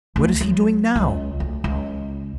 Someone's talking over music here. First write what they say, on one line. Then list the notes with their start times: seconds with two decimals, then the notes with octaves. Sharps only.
What is he doing now?'
0.16 D2
0.41 F#3
0.95 C#2
1.40 D2
1.64 C#2